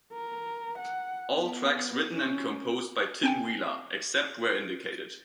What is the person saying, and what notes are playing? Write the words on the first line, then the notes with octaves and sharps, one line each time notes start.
All tracks written and composed by Tim Wheeler; except where indicated.
A#4
F#5
B3
C#4
C4 G5 G#5